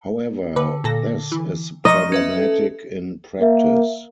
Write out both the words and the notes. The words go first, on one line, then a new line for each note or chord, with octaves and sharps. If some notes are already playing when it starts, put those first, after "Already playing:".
However this is problematic in practice.
D3 B4
A#2 A4 A#6
E3
F3 D5 D#5 A#5 C#6 D#6
C#4 B4 E5
A4
A#3 A#4 E5